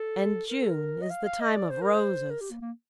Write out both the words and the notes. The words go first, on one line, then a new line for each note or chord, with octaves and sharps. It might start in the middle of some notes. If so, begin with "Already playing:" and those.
And June is the time of Roses.
Already playing: A4
A#4
A4
A#4
D#5
F5
F5
D#5
D5
C5
A#4
C5
A#4
G4
A#3
A#3